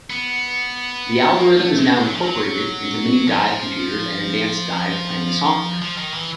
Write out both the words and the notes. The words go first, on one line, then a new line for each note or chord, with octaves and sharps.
The algorithm is now incorporated into many dive computers and advanced dive planning software.
B3
A#3
A3
G#3
F#3
F3
F#3
F3
F3
D#3
E3